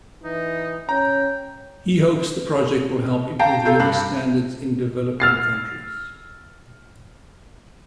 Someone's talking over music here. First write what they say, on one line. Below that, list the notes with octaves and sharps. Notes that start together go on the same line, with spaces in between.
He hopes the project will help improve living standards in developing countries.
E3 D#4
C#4 G5 A#5
F5 G5 A5 A#5
F4 A4 F5 G6
G2 D4 F5 B5
E6 F6 A6 C7